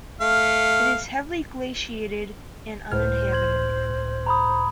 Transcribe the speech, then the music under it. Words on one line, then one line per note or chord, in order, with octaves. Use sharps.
It is heavily glaciated and uninhabited.
A3 F5
C#2 A2 C5 F6
C6 G#6 F#7
A#5 B5 D#6